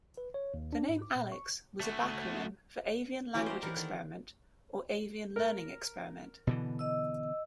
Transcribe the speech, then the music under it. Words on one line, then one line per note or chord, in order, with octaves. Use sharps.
The name "Alex" was a backronym for "avian language experiment", or "avian learning experiment".
B4
C#5
D#2
D4
G#2
D6
A#2
C#6
A3 F#4
E3 F#3 A#3 C#4 F#4 G4
G4 C5 D5 D#5
E3 A#4
D#3 A4 F#5 A#5
A#4
B2 D3 E3
D#5 E6